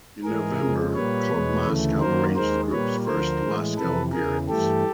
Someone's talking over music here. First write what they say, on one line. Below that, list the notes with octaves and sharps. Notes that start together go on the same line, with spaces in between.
In November, club "Moscow" arranged the group's first Moscow appearance.
G#2 E3 G#3 G#4 A#4
F2 C#3 F3 G#3
A#2 G3 A#3 B4 C#5
E2 B2 G#3
D2 C#3 E3 A3
F#2 D#3 F#3 A#3 A#4 C5
D#2 D#3 G#3 A#4 C5
A#2 G3 A#3 B4 C#5
D2 D3 F3 A#4 C5
A2 E3 G#3
F2 C3 E3 A4 B4
E2 C#3 E3 G#4 A#4
G2 E3 A3 G4 A4